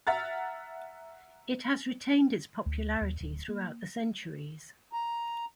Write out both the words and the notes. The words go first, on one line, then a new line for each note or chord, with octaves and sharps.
It has retained its popularity throughout the centuries.
E5 F#5 A#5 F6 A6
D2
D#2
D1
A#3
A#5